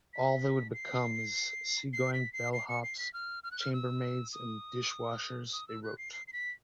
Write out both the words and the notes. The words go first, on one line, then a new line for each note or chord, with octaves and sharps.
All they would become is seagoing bell hops, chambermaids and dishwashers, they wrote.
B6
C7
C7
B6
C7
C7
C#7
C7
B6
F6
F6
F#6
F6
E6
D#6
D#6
E6
F#6
C7
C7
C7
B6